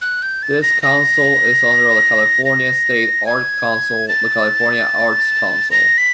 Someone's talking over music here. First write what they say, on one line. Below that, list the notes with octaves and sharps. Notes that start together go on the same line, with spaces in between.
This council is under the California state arts council the California Arts Council.
F#6
G6
A6
A#6
A#6
A#6
G#6
A6
A#6
B6